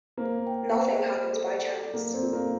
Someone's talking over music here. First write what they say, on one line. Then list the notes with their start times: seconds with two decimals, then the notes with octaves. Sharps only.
Nothing happens by chance.
0.17 A#3 C5
0.47 G5
0.77 C5
1.06 C5
1.35 A4
1.65 D5
1.94 A#3 A4
2.14 C4
2.23 F4
2.33 A#3